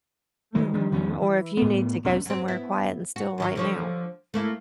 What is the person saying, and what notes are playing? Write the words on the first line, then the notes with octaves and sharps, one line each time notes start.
Mhm, or if you need to go somewhere quiet and still right now.
D#3 F#3 G#3
D#3 F3 D4
E2 D#3 F3 C#4
E3
A2 B3
E1 E2 C#4
F#2 C4
B3 E4
F#4
F#2 D#3 F#3
D3 F3 C#5
A3 A#3 E4